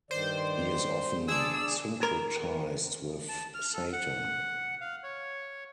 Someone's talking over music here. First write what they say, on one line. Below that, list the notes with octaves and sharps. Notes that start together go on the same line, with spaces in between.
He is often syncretised with Satan.
G2 D#3 C5 D5
D4 G#4 D5 E6
A#4
A5
F6
A4
F#5
F5
C#5